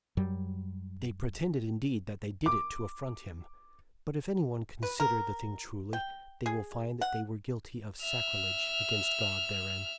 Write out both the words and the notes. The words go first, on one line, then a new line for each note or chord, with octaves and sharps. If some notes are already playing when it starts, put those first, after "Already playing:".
They pretended, indeed, that they did it to affront him; but if any one consider the thing truly, they will find that they were guilty of sacrilege against God therein.
F#2 F#3 G3
D6
B4
A#4
G5
G#4
F#5
E5 F6